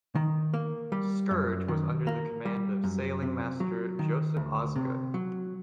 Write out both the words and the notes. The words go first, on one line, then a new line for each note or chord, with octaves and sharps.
"Scourge" was under the command of Sailing Master Joseph Osgood.
D#3
A#3
G3
F#2
D#3
A#3
G3
F#2
C3
F#3
D#3
D2
C3
F#3